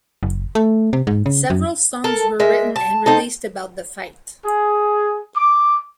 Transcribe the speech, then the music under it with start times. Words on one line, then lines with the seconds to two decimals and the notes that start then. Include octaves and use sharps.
Several songs were written and released about the fight.
0.23 F#1
0.55 A3
0.93 C3
1.07 G#2
1.26 C#3
1.50 F#2
2.04 A4 A#4
2.40 G#3 A#4 E5
2.76 A5
3.06 C4 D#4 A4
4.46 G#4
5.36 D6